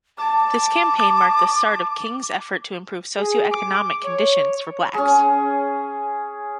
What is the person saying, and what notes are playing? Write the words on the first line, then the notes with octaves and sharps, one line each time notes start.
This campaign marked the start of King's effort to improve socio-economic conditions for blacks.
A5 D6
G#4
D6
C#5
C#4 G#4